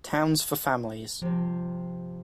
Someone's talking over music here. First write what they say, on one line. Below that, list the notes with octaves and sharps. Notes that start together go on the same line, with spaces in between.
Towns for Families.
G2 C3 F3